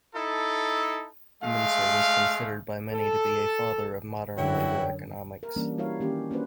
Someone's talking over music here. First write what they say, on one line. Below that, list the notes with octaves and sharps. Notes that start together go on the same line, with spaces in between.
Mincer was considered by many to be a father of modern labor economics.
D#4 E4 A4
G#3 A3 F5
A4
F#2 D3 E3 E4 F#4 C#5 G5
A#4
E3 G3 A#3 C#4 D4
G3 E4 F#4 A#4 C#5 F5
D#3 A#3 C#4 G4
A#3 C#4 D4 F#4 B4 C5